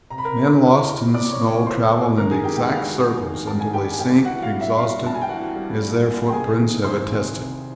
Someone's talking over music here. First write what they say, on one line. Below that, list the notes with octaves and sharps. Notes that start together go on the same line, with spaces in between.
Men lost in the snow travel in exact circles until they sink, exhausted, as their footprints have attested.
C3 A#5
B5
A#4 A#5
E3
E2
E2
C3 D5 D6
C#5 C#6
E3
C#5 C#6
E2 C5 C6
E2
D#3 A#4 A#5
G#4 G#5
G#3 G4 G5
G5
F#5
G2 F5
F#4 F#5
G2
D#3
G#3 A5
G#5
G2 G4 G5
G#5
G2 G4 G5
E3 F#4 F#5
F5
G3
E5
G2 F5
G2 A5
G#5
G5
E3 F#4 F#5
G3
G2
G2
G5
C3 G#4 G#5
D#3
C2 C5 C6
C2
C3